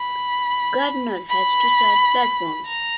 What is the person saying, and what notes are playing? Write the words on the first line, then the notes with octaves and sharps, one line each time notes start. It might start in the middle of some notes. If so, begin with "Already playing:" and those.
Gardiner has two side platforms.
Already playing: B5
B5
A#5